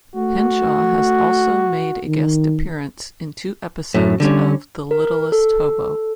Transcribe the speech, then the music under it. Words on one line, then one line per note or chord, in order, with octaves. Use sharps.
Henshaw has also made a guest appearance in two episodes of "The Littlest Hobo".
A3 F#4
D#3
F#2 A2
D3 G3 C#4
A#4
A4